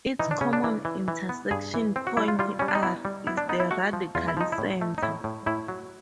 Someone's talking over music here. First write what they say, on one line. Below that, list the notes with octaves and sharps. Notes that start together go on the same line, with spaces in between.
This common intersection point r is the radical center.
E3 D#4
D4
C#3 C#4
D4
E3
E3
E3
B3
G2 G#4
E3
C4
F#4
G3 E4
F4
G3 F4
G3 C#4
D4
D#4
B3 E4
G3
B3 E4
D4
B3 D#4
E4
A3 F#4
F3
E2 F4
E4
F3 D#4
E4
A2
A3
D#4
A2 E4
A2
A2 E4
F#3